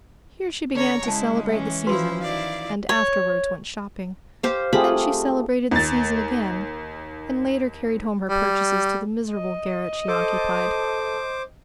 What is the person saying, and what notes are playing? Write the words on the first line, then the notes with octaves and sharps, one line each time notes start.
Here she began to celebrate the season, and afterwards went shopping; then she celebrated the season again, and later carried home her purchases to the miserable garret she occupied.
D3 C#4 C#5 A#5
C#3 G#3 E4 G#5 A5
E3 C#4 E5 G#5
F3 E4 F#4 B4 C6
D#3 E4 D5 F5
C#5
G4 C5 F5
A3 C4 F4 G4 G#4 B5
D#2 A6
G3
D#5
A4 C5 D6